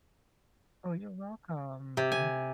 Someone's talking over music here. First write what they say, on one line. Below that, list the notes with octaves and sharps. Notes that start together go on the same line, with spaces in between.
Oh, you're welcome.
C3
G#5